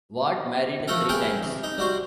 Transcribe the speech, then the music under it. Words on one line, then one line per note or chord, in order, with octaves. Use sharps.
Ward married three times.
F3 A3 A4 A#4
G#4 A#4 B4 G5 A5
C3
D#4
G3 F#4 C5